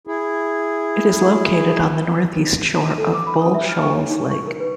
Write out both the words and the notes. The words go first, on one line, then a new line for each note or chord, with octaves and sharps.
It is located on the northeast shore of Bull Shoals Lake.
E4 G#4
A4
D6
B5
D#6
E5
F6
C#6
C#5
D#4
C#6
A#4
B4